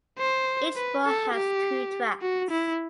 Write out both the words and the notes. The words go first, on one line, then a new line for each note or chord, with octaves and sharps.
Each bore has two tracks.
C5
B4
A4
G4
F#4
E4